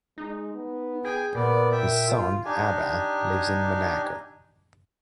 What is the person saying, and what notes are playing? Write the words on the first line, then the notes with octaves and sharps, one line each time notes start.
His son, Abba, lives in Monaco.
G#3 D#4
B3
G#4 G5 G#5
A#2 B3 A#4 D5
E5 G5
F4
D4 D#4 G4 G#5